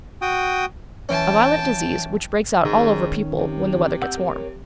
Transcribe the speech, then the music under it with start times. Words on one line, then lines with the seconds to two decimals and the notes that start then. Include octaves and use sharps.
A violent disease which breaks out all over people when the weather gets warm.
0.22 F#4 G5 D#6
1.09 E3 C#4 G5 A5
2.65 G#2 D#3 C#4
3.38 C3
4.02 F#5 E6 G6
4.18 A#4 C#5